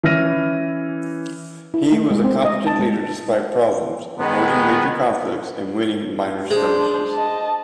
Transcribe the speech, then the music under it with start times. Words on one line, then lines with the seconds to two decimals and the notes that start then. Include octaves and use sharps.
He was a competent leader despite problems, avoiding major conflicts and winning minor skirmishes.
0.03 E3 C#4 E4 F6 A#6 D#7
1.74 E4
1.92 A3
2.11 G#3
2.24 C4
2.45 D#5
2.67 A5
2.79 G#3
4.19 D#3 G#3 B3
6.51 G#3 D4 C5
7.15 D#5 A5